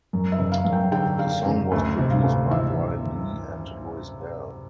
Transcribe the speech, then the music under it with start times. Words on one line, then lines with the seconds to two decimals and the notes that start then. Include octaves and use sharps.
The song was produced by Brian Lee and Louis Bell.
0.13 F#2
0.32 E5
0.39 F#1
0.52 F5
0.65 F#2
0.73 G5
0.92 D3 G5
1.19 D3 F5
1.46 F#1
1.72 D2 E5
1.98 C3
2.10 F5
2.24 D2
2.50 E3 E5